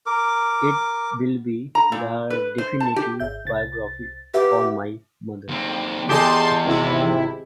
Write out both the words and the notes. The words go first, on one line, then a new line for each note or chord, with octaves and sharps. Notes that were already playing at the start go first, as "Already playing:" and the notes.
It will be the definitive biography on my mother.
A#4 D6
A#5
A#2
B4
C5
A5
G4
G#1 E5 G6
C2 A6
G4 B4 E5 F#5
D#2 C4
G5
E2 G4 G#4 D#5 A5 C6 G6
G#1 C3 E4 G5